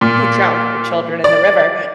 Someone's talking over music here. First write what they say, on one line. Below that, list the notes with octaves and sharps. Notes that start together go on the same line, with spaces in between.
who drowned her children in the river,
A#2
D5